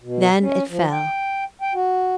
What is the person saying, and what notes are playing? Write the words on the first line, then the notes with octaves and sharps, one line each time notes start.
Then it fell.
B2
C#4
F3
G5
G5
F#4